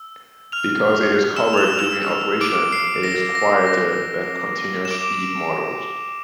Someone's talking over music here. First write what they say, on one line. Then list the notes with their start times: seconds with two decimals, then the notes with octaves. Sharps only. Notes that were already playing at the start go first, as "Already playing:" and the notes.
Because it is covered during operation, it is quieter than continuous feed models.
Already playing: E6
0.52 F6 F7
1.36 E6 E7
1.53 F7
1.57 E6 E7
1.74 F7
1.78 E6 E7
2.41 D6 D7
2.72 C7
3.03 A#6
3.35 A#6
3.67 A#6
4.85 E7
4.91 D6 D7